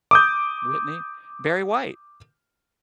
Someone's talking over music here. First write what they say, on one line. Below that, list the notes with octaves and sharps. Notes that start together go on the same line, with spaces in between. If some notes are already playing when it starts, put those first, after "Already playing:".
Whitney, Barry White.
D6 D#6 G6